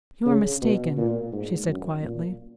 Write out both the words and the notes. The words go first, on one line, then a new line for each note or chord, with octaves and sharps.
"You are mistaken," she said, quietly.
C#3
B2
A#2
G#2
F#2
A#2